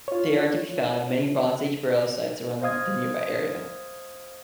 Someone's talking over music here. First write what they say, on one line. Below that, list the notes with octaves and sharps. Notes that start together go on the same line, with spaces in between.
There are to be found, many Bronze Age burial sites around the nearby area.
F4 C#5
C5 D#5 F5 D#6 G#6